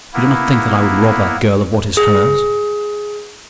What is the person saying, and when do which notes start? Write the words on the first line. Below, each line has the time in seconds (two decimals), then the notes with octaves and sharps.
You do not think that I would rob that girl of what is hers.
0.14 A#3 B3 E4
1.97 G#4